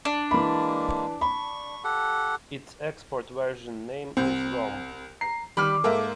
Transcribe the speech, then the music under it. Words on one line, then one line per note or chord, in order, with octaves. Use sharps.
Its export version name is Romb.
D4
E3 G#3 A#3 B5
B5 C#6
G4 A4 F#5
C2 C4
A#5 C7
D#3 G3 B5 F6
G#2 A#3 A4 A#4 E5